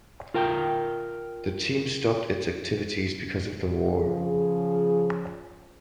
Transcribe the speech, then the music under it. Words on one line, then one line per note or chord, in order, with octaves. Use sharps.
The team stopped its activities because of the war.
F4 A#4 G5
C#3 F3 G#4